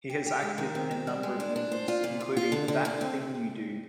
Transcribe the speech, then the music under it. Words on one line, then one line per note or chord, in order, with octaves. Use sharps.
He has acted in a number of movies, including That Thing You Do!
G4
G4
G#3
D#3
C4
C4
G3
G#3
D4
D4
C5
F4
A#2
F4
F4
D3
D3
D3
C4